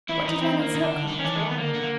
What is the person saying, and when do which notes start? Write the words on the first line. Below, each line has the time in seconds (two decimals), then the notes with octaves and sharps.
What did Leonards look like?'
0.09 E3 E4
0.18 D#3
0.26 E3 D#4
0.41 C4
0.58 D#3 A#3
0.75 D#3 D#4
0.83 D4
0.91 D3
1.08 D#3
1.19 C#4
1.25 E3 D4
1.35 G#3
1.41 D#3 A3
1.51 B3
1.58 D3 A#3
1.74 D3
1.83 A#3